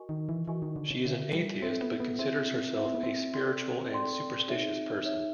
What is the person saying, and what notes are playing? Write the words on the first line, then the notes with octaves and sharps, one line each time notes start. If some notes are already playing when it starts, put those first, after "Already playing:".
She is an atheist but considers herself a spiritual and superstitious person.
Already playing: F#4 A#4 D#5 G#5 C#6
D#3
E3
E3 F#4 A#4 D#5 G#5 C#6
D#3
D3
C#3
D3 F4 A4 C#5 E5
G3
C4 F4 A4 C#5 E5
B3
B3
C4 E4 G#4 C5 E5
E4 G#4 C5 E5
C4
B3
C4
A4 D5 G5 C6
A4 D5 G5 C6
D#4 G#4 C#5 E5
D#4 G#4 C#5 E5